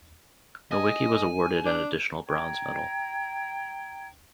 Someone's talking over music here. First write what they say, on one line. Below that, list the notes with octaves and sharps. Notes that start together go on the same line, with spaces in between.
Nowicki was awarded an additional bronze medal.
D#5 G#5
D4
G5 A#5 G#6